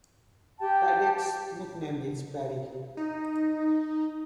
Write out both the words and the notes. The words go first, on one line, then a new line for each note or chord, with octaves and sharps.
Paddick's nickname is Paddy.
G4 G5 A5
D#4